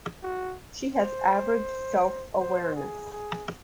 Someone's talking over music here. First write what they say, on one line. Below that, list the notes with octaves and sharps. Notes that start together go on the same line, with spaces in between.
She has average self-awareness.
F#4
C5
C5
G#4
G#4